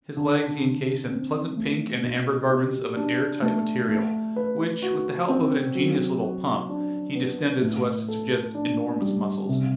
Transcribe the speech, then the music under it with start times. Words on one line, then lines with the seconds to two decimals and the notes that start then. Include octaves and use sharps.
His legs he encased in pleasant pink and amber garments of an air-tight material, which with the help of an ingenious little pump he distended so as to suggest enormous muscles.
0.17 D3
0.62 D3
1.09 C4
1.57 A3
2.03 B2
2.50 G4
2.96 D4
3.42 A3
3.89 A3
4.36 B4
4.82 F#4
5.29 C4
5.75 F#3
6.23 F#4
6.69 D4
7.15 B3
7.62 A2
8.08 A4
8.55 D4
9.02 G3
9.49 C3